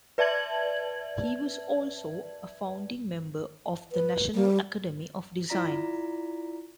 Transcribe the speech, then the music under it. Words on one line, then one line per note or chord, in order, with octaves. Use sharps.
He was also a founding member of the National Academy of Design.
B4 D5 E5 A5 G#6 F#7
B4
G3
E4 F4 D5 A#5 A#6 B6